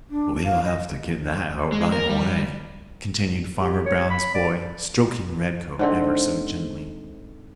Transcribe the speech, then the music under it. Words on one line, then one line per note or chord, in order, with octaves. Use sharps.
"We'll have to get that out right away," continued Farmer Brown's boy, stroking Redcoat ever so gently.
D4
F5
D#5
G#3
A#4
G3
G4
C#5
B5
D5
G#2 D3 C4